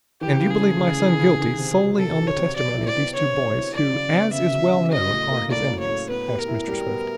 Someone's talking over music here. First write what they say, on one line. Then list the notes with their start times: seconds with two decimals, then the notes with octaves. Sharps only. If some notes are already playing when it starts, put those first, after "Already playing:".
"And you believe my son guilty, solely on the testimony of these two boys, who, as is well known, are his enemies?" asked Mr. Swift.
0.21 E3 G4
0.40 C#3
0.50 G#4
0.60 A3
0.81 C#3
1.00 E3
1.19 C#3
1.39 D#3
1.59 C3
1.77 F#3
1.98 C3 A4
2.18 D#3
2.27 C#5
2.36 C3
2.56 F#3 D5
2.76 E4
2.85 D5
2.95 B3
3.15 D3 C#5
3.34 F#3
3.55 E4
3.74 F#3 D5
3.93 C#3
4.13 B3
4.33 C#3 E5
4.52 F#3
4.72 C#3
4.92 F#3 D#5
5.11 A2
5.31 A#3
5.50 A2 D5
5.70 F#3
5.79 C#5
5.89 A2
6.09 B3 B4
6.28 G4
6.38 A#4
6.48 E4
6.68 G3
6.86 B3